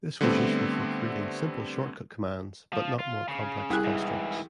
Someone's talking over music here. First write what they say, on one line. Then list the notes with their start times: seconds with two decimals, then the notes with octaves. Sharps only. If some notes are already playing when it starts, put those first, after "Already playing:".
This was useful for creating simple shortcut commands, but not more complex constructs.
0.21 D3 G3 A3 B3 C4
2.73 F3
2.99 F4
3.28 C#3
3.70 C2 G#4 F#6
3.85 G#2 E3